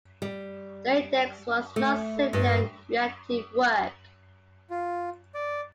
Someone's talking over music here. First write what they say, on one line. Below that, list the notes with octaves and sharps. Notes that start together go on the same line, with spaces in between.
The "Index" was not simply a reactive work.
G3
A3
G2
F4
D5